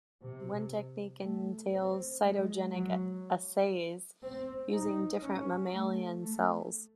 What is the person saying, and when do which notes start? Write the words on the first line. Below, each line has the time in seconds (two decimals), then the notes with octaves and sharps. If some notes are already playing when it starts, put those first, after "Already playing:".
One technique entails cytogenetic assays using different mammalian cells.
0.22 C3
1.22 A3
1.72 C4
2.23 G#3
2.72 F#3
4.22 C4
4.73 D#4
5.22 C#4
5.73 A3
6.22 A3